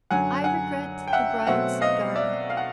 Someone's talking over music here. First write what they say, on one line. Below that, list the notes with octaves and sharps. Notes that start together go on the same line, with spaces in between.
I regret the bride's garter.
F#2 D3 F#3 F#5 G#5
F#5 G#5
G5
E5 F#5
B2 F#3 A3 C4 E5 F#5
D#5 F5
D5 E5
F5
F#5